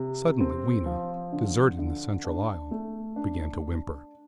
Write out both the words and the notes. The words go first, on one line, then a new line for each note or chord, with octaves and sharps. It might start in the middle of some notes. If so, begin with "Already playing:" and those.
Suddenly Weena, deserted in the central aisle, began to whimper.
Already playing: C3
C4
F3
D3
D3
D4
A3
D4